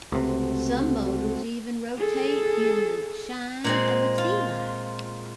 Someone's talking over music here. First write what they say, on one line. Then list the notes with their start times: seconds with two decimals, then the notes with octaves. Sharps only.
Some motors even rotate in the shine of a tealight.
0.12 C#2 C3 A3 C4 F#4
1.97 G#4 A4
3.64 A#2 G#3 C4
4.18 F4